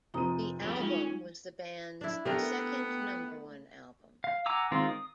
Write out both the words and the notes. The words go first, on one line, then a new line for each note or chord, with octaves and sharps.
The album was the band's second number one album.
F1 C4 F4 A#5 D#6 D#7
F2 G3 C#4 D7
G3 G#3 C#4 D#4 F4
D4 E4
A3 B3 D4 G4 A#4
F5
F#5 G#5 A#5 D6 E6
D#3 G#3 C4 F4 A#4
D#6